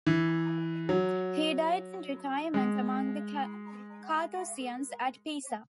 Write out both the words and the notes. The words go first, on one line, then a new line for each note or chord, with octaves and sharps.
He died in retirement among the Carthusians at Pisa.
E3
F#3
G#3